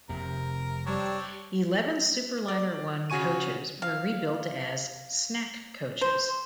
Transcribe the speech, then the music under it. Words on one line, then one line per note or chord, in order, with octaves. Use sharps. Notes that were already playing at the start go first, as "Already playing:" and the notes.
Eleven Superliner I coaches were rebuilt as "snack coaches".
F1 C3 A#4
G3 C4 D4 C#5
D5
C#3 F#4 G#5 C#6 D#7
F5
C5